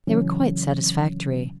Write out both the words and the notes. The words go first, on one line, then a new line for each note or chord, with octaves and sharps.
They were quite satisfactory.
C#3 E3 F#3 C#4